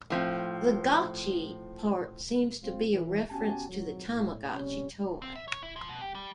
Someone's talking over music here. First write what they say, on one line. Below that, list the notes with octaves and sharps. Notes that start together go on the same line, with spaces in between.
The "gotchi" part seems to be a reference to the Tamagotchi toy.
A2 F3 C4
G#3 C4 F4
E3
B3 C#4 F#4 G4 G#5 A5
G#1 F2 F#3
A2
A#1 C3 G3 C#4
C4
E5
C#5
E4
F3
B2
G4
G3